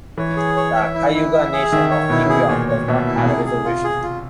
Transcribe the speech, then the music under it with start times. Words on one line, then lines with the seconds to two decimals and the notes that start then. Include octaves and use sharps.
The Cayuga Nation of New York does not have a reservation.
0.18 E3 C#5
0.36 G#4
0.57 C#5
0.76 E5
0.95 E4
1.14 E4
1.33 E5
1.53 G#4
1.72 D#3 E5
1.91 C#5
2.10 B2 E4
2.30 G#4
2.49 A#2 C#5
2.68 C#5
2.88 B2 E5
3.07 E4
3.18 B2
3.26 C3 G#4
3.46 G#4
3.64 F4
3.84 G#4
4.03 F4